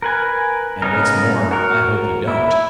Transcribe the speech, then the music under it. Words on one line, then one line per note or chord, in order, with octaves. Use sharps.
"And what's more, I hope you don't."
A#4 B4 G#5
C#3 B3 C#4 D#4 A#4
F#4 A#4
E4